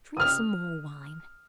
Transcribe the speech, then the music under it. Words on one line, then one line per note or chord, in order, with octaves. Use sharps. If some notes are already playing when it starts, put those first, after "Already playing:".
Drink some more wine.
D#6 F6